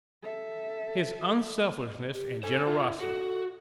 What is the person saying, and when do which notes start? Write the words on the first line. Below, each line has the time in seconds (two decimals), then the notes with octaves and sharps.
His unselfishness and generosity?
0.23 A4 E5
2.14 G4
2.43 A4 C5 G#5
2.67 E4 F4
3.01 F#4 A4